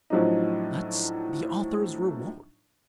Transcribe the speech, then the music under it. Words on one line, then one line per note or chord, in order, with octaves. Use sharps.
That's the author's reward.
A2 F3 F#3 D4 D#4